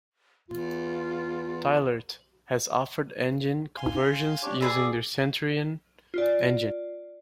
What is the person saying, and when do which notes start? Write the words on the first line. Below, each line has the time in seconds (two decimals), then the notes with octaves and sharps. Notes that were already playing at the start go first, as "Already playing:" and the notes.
Thielert has offered engine conversions using their Centurion Engine.
0.48 E2 F4
3.77 F5 G#5 C6
4.42 D4 G4 C#5
4.61 G#4 B4 D5 G#5 E6
6.14 F4 D5